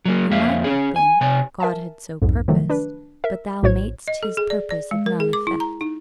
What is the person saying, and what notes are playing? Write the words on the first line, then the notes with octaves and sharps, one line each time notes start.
He might have been, God had so purposed; but thou madest His purpose of none effect.
F#3 A#3
F2 A#3 E5 F5
C#4 G#4
G#5
C3 G#5
A#4 E5 G#5 A5
B1 F2 G#2
C3 D#3 F3 F#3 A3
D4 B4
A#4 E5
A#1 A2 F#4 C5 C#5 G#6
D#5
A4
G#4
D5
D5
G#3
A#4
G#4
D6
E4
A#5
D#4